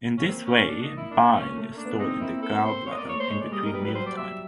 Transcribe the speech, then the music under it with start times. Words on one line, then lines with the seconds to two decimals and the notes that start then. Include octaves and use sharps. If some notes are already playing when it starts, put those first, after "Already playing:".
In this way, bile is stored in the gallbladder in between meal times.
0.18 C#4
0.24 A#3 C4
0.46 C#4
0.68 D4
0.83 D#4
0.97 E4
1.11 A#3 D4
1.33 C#4
1.58 A3
1.71 A#3
1.77 D4
1.85 B3
1.99 C4 D#4
2.20 A#3 E4
2.42 A4
2.65 C5
2.86 A#3 C#5
2.92 D#5
2.97 A#3 D5
3.09 C#5
3.15 A3 C5
3.30 G#3 C#5
3.41 D5
3.51 G3 D#5
3.65 A#4
3.73 G3 B4
3.82 F#3
3.85 G3 B4
3.95 C5
4.06 D5
4.17 E5